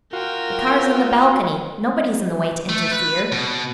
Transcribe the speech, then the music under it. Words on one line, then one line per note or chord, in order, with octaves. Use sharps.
The car's on the balcony; nobody's in the way to interfere!
F4 F#4 A#4 G5
A3
B4
B2